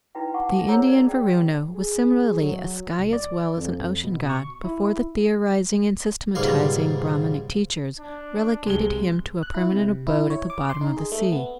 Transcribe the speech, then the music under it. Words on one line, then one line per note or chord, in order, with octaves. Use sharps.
The Indian Varuna was similarly a sky as well as an ocean god before the theorizing and systematizing Brahmanic teachers relegated him to a permanent abode at the bottom of the sea.
D#4 E4 F#4 B4 E5 G5
F#5 A5 C#6 D6
A4 E5
G#4 A#4 C5 C#5 A#5 E6
A#4 D5
G#4 D5 G5
G#4
F#3
C2
D5
F2
B2
C#6
E4
C#2 G#2 B2 G3 A#3 F5
D4
C2 C3 G#3 G7
F#6
E4
C3
E4
C#5
D6
C6
D#4
G#4
A3
B3